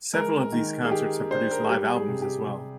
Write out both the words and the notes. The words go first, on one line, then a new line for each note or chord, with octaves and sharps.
Several of these concerts have produced live albums as well.
G#3 A#4
D#3
G#4
D#3 G4
D4 C5
A#4
G#4
G3 G4
G#4
C3
G4
C3 G4